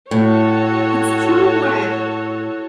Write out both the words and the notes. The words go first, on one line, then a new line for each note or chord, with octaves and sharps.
if it's too wet,
A2 F#4 A4 C#5